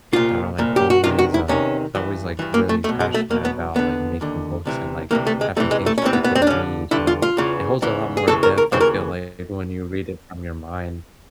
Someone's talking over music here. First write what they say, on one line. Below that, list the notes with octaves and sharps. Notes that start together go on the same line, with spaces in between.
that are, like, always, uh, always, like, really passionate about, like, making books and, like, having things for people to read, you know? It holds a lot more depth, I feel like, when you read it from your mind
C2 A#2 F4
C2 A#2
G4
F#4
E2 C3 D#3 F4
F#4
E4
E2 C3 D#3 C#4
G2 E3
G2 E3
A#3
A3
B1 B2 A3
G#3
A3
B1 B2 A#3
B3
D#2 D3 B3
D#2 D3
D2 C3 E3
D2 C3 E3 A#3
A3
G#3
E2 C3 E3 A3
G#3
A3
C#4
E2 C3 E3 C4
B3
B3
C4
D4
G2 D3 C#4
G2 D3 E4
F4
F4
E2 C#3 E3
E2 C#3 E3
G#4
D#2 C#3 E3 A4
A#4
A#4
D#2 C#3 E3 C5
A#4